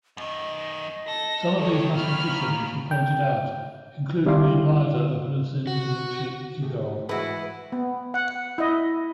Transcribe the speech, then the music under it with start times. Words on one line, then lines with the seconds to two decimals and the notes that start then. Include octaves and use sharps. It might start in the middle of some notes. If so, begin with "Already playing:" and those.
Some of these mathematicians were pointed out, including the advisor of Luzin, Dmitri Egorov.
0.17 F#2 D#3 D#5
1.08 A4 A#6
1.59 D#2 D#3 A4 C#5
1.96 B5 F6
2.30 A#5
2.91 G5
4.26 C3 G3 E4 F5 C6 D6
5.67 F#4
6.62 A3 G4 G#4
7.09 G#2 E3 E4 F#4 G#4 B4 D#5
7.72 B3
8.14 F#5
8.58 E4 D#5